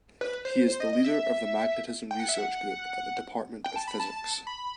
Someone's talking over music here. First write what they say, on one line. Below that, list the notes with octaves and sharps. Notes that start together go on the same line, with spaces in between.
He is the leader of the magnetism research group at the Department of Physics.
B4
C5
C5
D#5
D#5
E5
G5
F#5
E5
F#5
G5
A5
B5
A5
B5